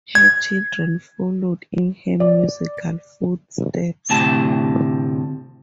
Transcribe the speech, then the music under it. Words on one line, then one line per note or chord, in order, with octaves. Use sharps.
Her children followed in her musical footsteps.
G#6
D5
D2 A2 C3 A5